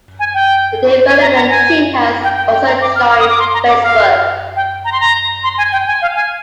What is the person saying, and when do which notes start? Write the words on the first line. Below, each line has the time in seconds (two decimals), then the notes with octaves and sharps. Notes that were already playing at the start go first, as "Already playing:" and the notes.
The development team has also joined Facebook.
0.19 G#5
0.34 G5
1.07 G#5
1.22 A#5
1.35 A#5
1.50 G#5
2.23 G5
2.37 G5
2.52 G5
2.67 A#5
2.82 D6
2.96 F6
3.10 F6
3.20 D#6
3.30 D6
3.39 C6
3.54 A#5
3.69 D6
3.83 F5
4.56 G5
4.85 A#5
4.92 C6
5.01 A#5
5.43 C6
5.58 G#5
5.72 G5
5.87 G#5
6.02 F5
6.15 G#5